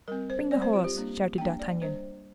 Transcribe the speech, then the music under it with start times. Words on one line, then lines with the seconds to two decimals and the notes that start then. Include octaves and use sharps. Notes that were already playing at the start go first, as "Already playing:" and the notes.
"Bring the horse!" shouted D'Artagnan.
0.08 G3 C4 A#4
0.30 C5
0.51 G3 C4 D5
0.62 C5
0.73 F4
0.84 G4
0.95 G3 A#3 D4
1.38 G3 A#3 D4 G5
1.59 D5
1.82 G3 D4 C5